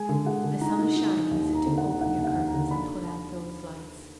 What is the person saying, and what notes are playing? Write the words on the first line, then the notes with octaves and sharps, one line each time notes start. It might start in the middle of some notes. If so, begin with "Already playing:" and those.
The sun is shining; so do open your curtains and put out those lights.
Already playing: G#3 G#5
D3
G#3 F#5
D3
D#4 A#5
D#4
D#4
D#4
D#2
D#4
A#5
D3
F#5
D#2
D#4 F#5
D#2
F#5
D#2
A#5
D3
D4 B5